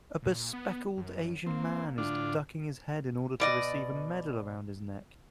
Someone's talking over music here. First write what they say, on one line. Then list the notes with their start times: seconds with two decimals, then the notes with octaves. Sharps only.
A bespectacled Asian man is ducking his head in order to receive a medal around his neck.
0.22 A#2
0.53 B3
0.97 F#2
1.47 A#3 C4
1.98 A2 D3 D4 F4
3.40 B2 D5 D#5